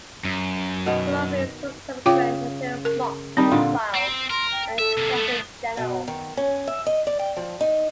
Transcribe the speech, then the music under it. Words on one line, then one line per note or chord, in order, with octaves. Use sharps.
Some of his subsequent material mocked the trial and tax in general.
F#2
B2 D#3 B3
C#3 F4 G5 D6
A#4
D#3 G3 C4 D#4
A#2 D3 F4
C4
A#4 C6
G5
A4 E5
C3 A#3
A3 B3
B2
D#3
C#4
E5
D#5
D5
G5
F3
D#4